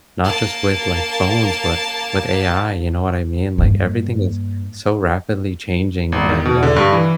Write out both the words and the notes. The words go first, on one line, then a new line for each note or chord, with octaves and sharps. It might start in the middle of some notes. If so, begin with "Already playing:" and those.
not, just, with, like, phones, but with AI, you know what I mean, like, everything is so rapidly changing and, uh,
A#3 A5
G2 A#3
G#1
D#3
B2
D3
G2
E3